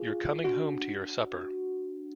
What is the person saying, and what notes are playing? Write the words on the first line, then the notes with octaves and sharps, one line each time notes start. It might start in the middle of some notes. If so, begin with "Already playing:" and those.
You're coming home to your supper.
Already playing: F4 G#4
D4 F#4